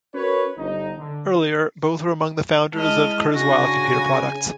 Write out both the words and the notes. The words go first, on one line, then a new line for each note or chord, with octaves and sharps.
Earlier, both were among the founders of Kurzweil Computer Products.
C#4 F#4 A#4 B4 C#5
G1 D#4
D3
G#3 E4 D#5 A5 F6
C#3 D4 F#4 G#5 A#6